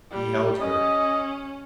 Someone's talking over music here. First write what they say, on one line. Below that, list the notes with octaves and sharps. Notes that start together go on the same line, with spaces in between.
He held her.
G3
C#4 D#5